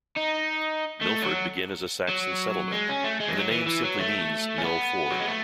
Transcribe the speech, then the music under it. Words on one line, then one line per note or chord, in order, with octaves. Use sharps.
Milford began as a Saxon settlement, and the name simply means "mill ford".
D#4
A3
F#3
F#3
G#3
C#4
A3
G#3
E3
F#3
E3
E3
F#3
A3
C#4
B3
F#3
G#3
A3